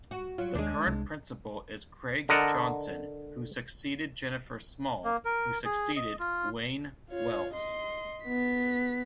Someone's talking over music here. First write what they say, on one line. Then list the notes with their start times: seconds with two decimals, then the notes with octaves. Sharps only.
The current principal is Craig Johnson, who succeeded Jennifer Small, who succeeded Euan Wells.
0.11 F#4
0.38 F#3 F4
0.55 D#2 G#3 D4
0.87 C2
2.29 D3 A#4 D#5 F#5 A5
5.04 A#3
5.25 A#4
5.65 G#4
5.97 D#5
6.19 F4
7.10 F4 C#5
7.54 D#5 C6
8.24 B3 B6